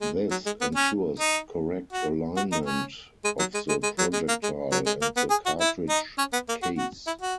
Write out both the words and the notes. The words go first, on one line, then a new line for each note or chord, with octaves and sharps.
This ensures correct alignment of the projectile and the cartridge case.
G#3
F#3
G#3
B3
C#4
D#4
F#4
F#4
D#4
C#4
G#3
F#3
G#3
G#3
G#3
F#3
G#3
A#3
G#3
F#3
G#3
A#3
B3
G#4
F#4
E4
D#4
C#4
B3
A#3
F#4
F#4
E4
F#4